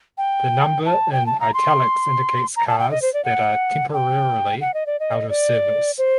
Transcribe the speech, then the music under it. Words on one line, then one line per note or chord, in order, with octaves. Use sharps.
The number in "Italics" indicates cars that are temporarily out of service.
G5
A5
G5
A5
A#5
C6
A#5
A5
G5
D#5
C5
D5
F#5
G5
F#5
D#5
D5
D#5
D5
C5